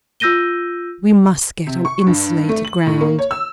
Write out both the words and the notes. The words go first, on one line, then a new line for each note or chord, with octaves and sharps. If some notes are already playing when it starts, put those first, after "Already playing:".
We must get on insulated ground.
F4 E6 G6 A#6 D#7 G7
C3
C#6
G2
A3
F#7
A2
A#3
C#5
E6